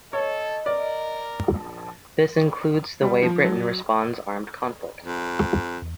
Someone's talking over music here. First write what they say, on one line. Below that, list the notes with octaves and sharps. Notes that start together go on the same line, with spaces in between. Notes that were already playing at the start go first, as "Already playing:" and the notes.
This includes the way Britain responds armed conflict.
A4 C#5 D#5
A#4 D5
A#1 A5
G3
F3
F#3
F2
E2